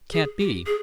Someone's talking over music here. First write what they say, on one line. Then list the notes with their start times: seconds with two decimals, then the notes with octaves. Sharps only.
Can't be.
0.13 G#4
0.40 G4
0.66 G#4